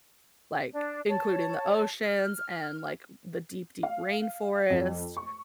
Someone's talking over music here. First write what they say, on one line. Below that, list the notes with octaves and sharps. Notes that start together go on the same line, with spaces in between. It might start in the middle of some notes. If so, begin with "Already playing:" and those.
like, including the oceans and, like, the deep, deep rainforest,
D4
C#5 A5
F6
F5
F2
C#6